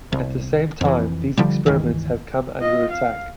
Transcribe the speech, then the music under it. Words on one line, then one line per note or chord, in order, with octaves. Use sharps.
At the same time, these experiments have come under attack.
C2
F2 E3
D3 F3 G3
G1 C#2 D#3 E3
F4 D#5
F5